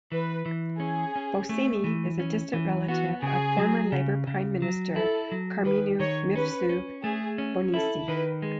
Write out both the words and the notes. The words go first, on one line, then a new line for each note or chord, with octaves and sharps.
Bonnici is a distant relative of former Labour Prime Minister Karmenu Mifsud Bonnici.
E3 B4
E3
C#4 G#4
C#4
A3
E3
C#4
E3
B3 F#4
C#3 G#4
F#3
C#3
C#3
F#3
E4 A4
F#3
D#3 B4
D#3 C#5
C#4 B4
C#4
A3 G#4
C#4
E4 A4
D#3 B4
G#3